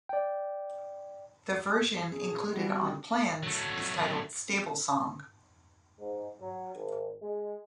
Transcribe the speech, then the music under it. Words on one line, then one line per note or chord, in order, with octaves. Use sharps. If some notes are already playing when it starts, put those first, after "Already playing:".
The version included on "Plans" is titled "Stable Song".
D5 G5
G#4
G3 F#4
F#3 A3
G#2
F#3
G#1
G#3